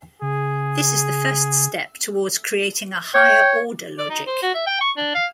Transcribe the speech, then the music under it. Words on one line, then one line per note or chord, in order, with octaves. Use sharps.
This is the first step towards creating a higher-order logic.
C#3 G#4
C#5 G5
D5
D#4
C5
F#4
E5
G5
C#6
D4
F5